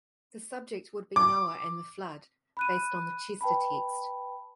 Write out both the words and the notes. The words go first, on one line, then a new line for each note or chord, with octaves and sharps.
The subject would be Noah and the flood, based on the Chester text.
D6
B5 F#6 D#7
B4 G5 A5 B5